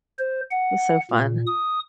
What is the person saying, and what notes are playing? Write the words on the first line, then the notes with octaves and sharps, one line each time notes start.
was so fun.
C5
F#5
A#2
D#6